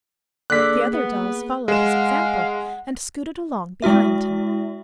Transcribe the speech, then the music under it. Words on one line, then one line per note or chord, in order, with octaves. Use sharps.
The other dolls followed his example and scooted along behind him.
D3 A#3 G#4 F#6 B6
B3
G#3 F5 F#5 E7
G#3 E4 F#4 E5